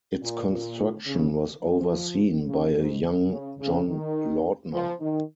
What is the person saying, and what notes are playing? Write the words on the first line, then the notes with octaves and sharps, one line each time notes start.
Its construction was overseen by a young John Lautner.
A#2
A#2
C#3
F3
C#3
G#2
C#3
C#3
D#3
F3
D#3